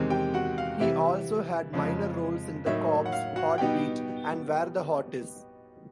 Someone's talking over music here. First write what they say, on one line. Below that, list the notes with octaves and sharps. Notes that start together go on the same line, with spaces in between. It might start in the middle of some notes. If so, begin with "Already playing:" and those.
He also had minor roles in "The Cops", "Heartbeat" and "Where the Heart Is".
Already playing: E2 C3 D#3 G#3 C4
G4 G5
F#4 F#5
F5
C3 E3 G3 E5
F2 C#3 F3 G#3
A2 F#3 A#3 D#4 E5
F#5
F5
F#4 F#5
B2 G3 B3 D#4 G4 G5